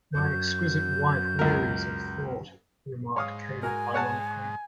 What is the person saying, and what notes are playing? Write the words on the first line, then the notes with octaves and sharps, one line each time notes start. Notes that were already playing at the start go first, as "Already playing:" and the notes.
"My exquisite wife wearies of thought," remarked Caleb ironically.
F#2 G6
C#2 A#4
G#2 C#5 F5 D#6
F#4 A#4 G#5
C#5 F#5 A5